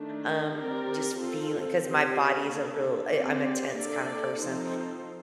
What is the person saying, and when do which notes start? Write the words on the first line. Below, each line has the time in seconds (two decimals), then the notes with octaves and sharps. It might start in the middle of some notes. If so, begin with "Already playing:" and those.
Um, just feeling 'cause my body is a real I I'm a tense kinda person.
Already playing: D#3 A3 D4
0.53 C4 G4 A#4 D5
1.18 C4 F4 A4 C5
1.82 C4 G4 C5
2.47 A#3 D4 A4
3.11 C4 G4 D5
3.76 A#3 D4 A4 D5
4.39 F3 C4 D#4 A4 C5